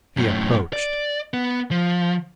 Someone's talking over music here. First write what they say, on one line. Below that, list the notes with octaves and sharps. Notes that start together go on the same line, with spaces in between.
He approached.
F#2 A2
D5
B3
F3